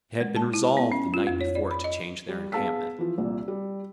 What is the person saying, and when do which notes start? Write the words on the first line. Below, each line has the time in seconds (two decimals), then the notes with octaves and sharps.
It had been resolved the night before to change their encampment.
0.20 G#3
0.36 A5
0.54 E4
0.77 B3
0.92 C#4
1.14 F4
1.27 F2
1.41 C#5
1.55 D5
1.71 B5
1.84 D#5
2.29 G3
2.52 B3 G#4 F5 A5 E6 B6
2.98 E3 F3
3.18 C2 A#2 G3
3.48 G3